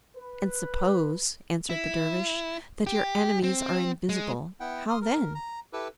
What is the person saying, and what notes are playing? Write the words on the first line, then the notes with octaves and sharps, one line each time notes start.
"And suppose," answered the dervish, "that your enemies are invisible, how then?"
B4
E4
G4
C4
G#3
B3 E4 F#5 G5
C6 D#6 F6
A#4
A#5
E4 G4 A4 B4